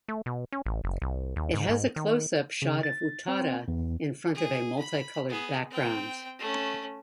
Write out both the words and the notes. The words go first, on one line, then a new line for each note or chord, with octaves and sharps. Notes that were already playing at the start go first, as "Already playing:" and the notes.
It has a close-up shot of Utada in front of a multi-colored background.
A3
B2
C#4
A1
F#1
C2
D#2
G#2
G#2
D#3
C#3
A6
C4
E2
G#4
B5
B3 G#4
C4 G5
A3 C#4